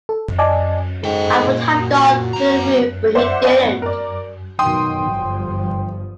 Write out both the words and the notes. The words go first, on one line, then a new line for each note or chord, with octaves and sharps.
I would have gone through the roof but he didn't.
A4
D5 D#5 G#5 A5
G#2 A4 G5
A#2
F#4
B3 A#5
C5 D5 E5 F#5
B4 D5 D#5 F5 G#5
A2 B3
A#4 D5
B2 D#3 F#3 G5 C6 D#6
G1 G2 F3